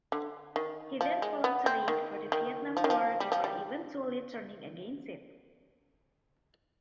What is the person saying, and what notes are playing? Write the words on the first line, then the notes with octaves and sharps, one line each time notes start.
He then volunteered for the Vietnam War before eventually turning against it.
D3
D#3
F3
G#3
B3
C4
D#3
D#3
F3
D#3
F3
G3
F3
G3